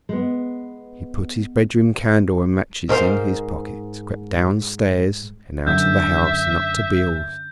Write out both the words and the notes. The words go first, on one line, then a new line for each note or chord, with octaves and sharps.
He put his bedroom candle and matches in his pocket, crept down-stairs and out of the house and up to Beale's.
G#3 B3
G#2 A#4 C5 F5
F#2 D3 F#3 G#3 C#4 E5 G6